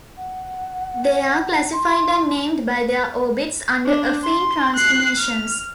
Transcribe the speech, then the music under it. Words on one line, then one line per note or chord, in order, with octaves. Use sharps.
They are classified and named by their orbits under affine transformations.
F#5
C6
D4
C6
F#6 C7
F6